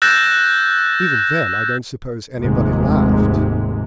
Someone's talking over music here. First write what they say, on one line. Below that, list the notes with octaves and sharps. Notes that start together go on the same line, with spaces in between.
"Even then I don't suppose anybody laughed."
E6 F#6 G6 A6 A#6 E7
F1 D#2 G#2 C3 G#3